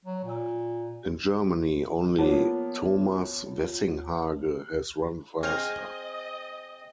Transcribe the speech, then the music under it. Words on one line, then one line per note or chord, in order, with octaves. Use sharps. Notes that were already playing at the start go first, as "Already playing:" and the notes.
In Germany only Thomas Wessinghage has run faster.
F#3
A#2
F3 A#3 B3 C#5 A5
C4 G#4 D#5 G5 F6 F7